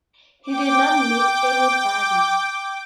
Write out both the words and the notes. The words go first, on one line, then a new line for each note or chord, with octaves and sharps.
He did not meet anybody.
G5 D6